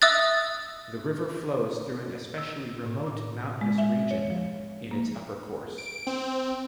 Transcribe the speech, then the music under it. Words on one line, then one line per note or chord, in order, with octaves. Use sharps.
The river flows through an especially remote mountainous region in its upper course.
E5 D#6 E6 F#6 A6
E6
A2
D6
G#3
E5
C#5
F3
A#3
D7
C4